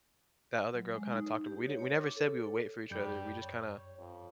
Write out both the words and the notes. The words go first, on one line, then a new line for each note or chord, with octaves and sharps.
that other girl kinda talked ab we didn't we never said we would wait for each other, we just kinda
F#3
G#3
D#4
G4
C#5
C#5
D6
A4
F#2 G3 G6
C#5
F2